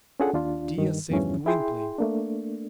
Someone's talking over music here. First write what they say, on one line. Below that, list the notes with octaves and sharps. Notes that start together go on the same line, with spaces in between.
Dea saved Gwynplaine.
C#4 D4 F4 G#4 A4 F#5
D#2 D4 F4
G2 D#3
E2 G2 E3 F3 C#4
E4 G#4 G5 C6
A3 A#3 D4